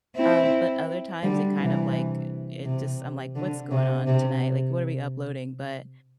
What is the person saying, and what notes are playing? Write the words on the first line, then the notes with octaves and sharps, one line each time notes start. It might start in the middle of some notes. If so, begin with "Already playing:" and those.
um, but other times it kind of like it just I'm like, "What's going on tonight?" Like, "What are we uploading?" But,
C4 E4
D3 G3
C3 E3
C3
D3
C3
C3